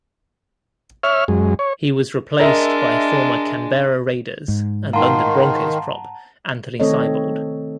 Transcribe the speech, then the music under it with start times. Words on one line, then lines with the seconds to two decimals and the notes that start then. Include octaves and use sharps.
He was replaced by former Canberra Raiders and London Broncos prop Anthony Seibold.
1.03 C#5 E5 F6
1.28 F#2 G#3
1.59 C#5
2.39 G#3 D4 A#4 D#5 E5
4.48 G#2
4.93 D#3 F5 F#5 A5 A#5 C6
6.80 D#3 A3 C4 A4 C#5 D#5